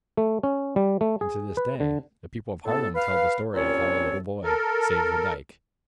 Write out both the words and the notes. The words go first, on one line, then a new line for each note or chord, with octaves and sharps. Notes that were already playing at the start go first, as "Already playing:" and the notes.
And to this day the people of Haarlem tell the story of how a little boy saved the dike.
A3
C#4
G3
A3
G#4
B4
D3
A2 B3 A4
B4 F5
C2 A#2 C4 C#4 A4 C#5
A4 A#4